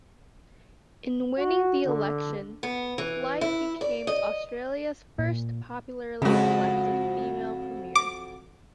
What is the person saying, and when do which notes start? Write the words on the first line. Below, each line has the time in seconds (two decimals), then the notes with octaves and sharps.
In winning the election, Bligh became Australia's first popularly elected female premier.
1.38 F#4
1.86 D3
2.63 B3
2.98 E3
3.41 E4
3.81 D5
4.07 D#5
5.19 A#2
6.22 F2 C#3 G#3 F#4
7.95 D6